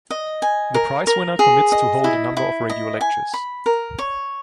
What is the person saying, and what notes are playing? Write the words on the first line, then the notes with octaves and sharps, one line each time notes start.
The prizewinner commits to hold a number of radio lectures.
D#5
G#5
A#4
A#4
G#4
D#5
E4
E4
D#5
G#5
B5
A#4
C#5